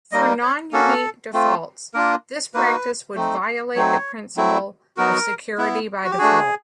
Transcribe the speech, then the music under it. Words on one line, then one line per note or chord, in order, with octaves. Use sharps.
For non-unique defaults, this practice would violate the principle of 'security by default'.
G3 A#3 D#4 D#5
C#5
A#3 C#4 F#4 A4
A3 C4 F4
A#3 D4 F4 A#4
A#3 D#4 F#4 B4
A3 C4 D#4
F#3 A3 C4 D#4 C#5
F#3 A3 C4 E4
F#3 B3 D#4 F#4 A#4
B3 E4
F#4
G4
A3 D4 F#4 G#4